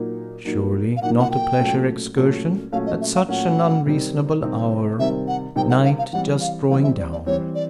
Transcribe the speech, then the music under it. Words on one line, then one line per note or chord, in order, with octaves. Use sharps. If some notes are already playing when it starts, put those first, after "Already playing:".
Surely, not a pleasure excursion, at such an unreasonable hour--night just drawing down?
Already playing: A#2 F#3 A#3 D#4
A#2 F#3 A#3 D#4
F5
A#2 F#3 A#3 D#4 F#5
F#5
G5
A#2 F#3 A3 C#4
A#2 F#3 A3 C#4
A#2 F#3 A3 C#4 F5
D#5
E5
F5
A#2 F#3 A3 C#4 F#5
C3 D#3 G3 C4 D#4
C3 D#3 G3 C4 D#4
C3 D#3 G3 C4 D#4 E5
F#5
C3 D#3 G3 C4 D#4 G5
F#5
F5
F5
E3 G3 C4 F#5
F5
E3 G3 C4 F5
E5
D5
D5
E3 G3 C4 C#5
D5